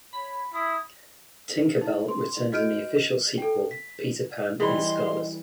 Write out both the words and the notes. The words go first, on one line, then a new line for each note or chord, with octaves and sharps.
Tinker Bell returns in the official sequel "Peter Pan in Scarlet".
C#5 B5
E4 D#6
D#4 E4
C6
F#4 D#5 F6 G6 D7 D#7
A4 G5
B6
E3 G3 G#4 D#5 B5 C6